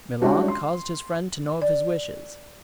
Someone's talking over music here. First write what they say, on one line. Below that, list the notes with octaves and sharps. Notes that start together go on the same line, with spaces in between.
Milon caused his friend to know of his wishes.
G#3 C#4 D4 E4 F#4 G4
C6
D5